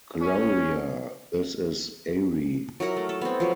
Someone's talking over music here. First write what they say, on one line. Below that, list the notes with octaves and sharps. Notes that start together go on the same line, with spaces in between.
Gloria, this is Ari.
C#4
F#3 E4 A#4 F#5
A3
A4
B3 C4
F3 F#3